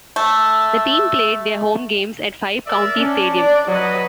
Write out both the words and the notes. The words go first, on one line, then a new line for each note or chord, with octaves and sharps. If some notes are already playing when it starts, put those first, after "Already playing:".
The team played their home games at Five County Stadium.
A3 E6
A#4 D5 E5
C#4 D4
D5
F#3 B4 D#5